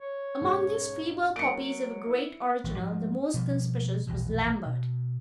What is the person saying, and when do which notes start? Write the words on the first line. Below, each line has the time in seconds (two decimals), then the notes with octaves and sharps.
Among these feeble copies of a great original the most conspicuous was Lambert.
0.01 C#5
0.40 B1 G#2 C#3
1.36 F#3 A#3 C#7 D7
2.07 E4 E6
2.64 A1 E3 F3
2.78 G#2 F3 F#3 G#3
3.34 B2 F3 G3
4.07 A#1 E2 B2
4.66 B2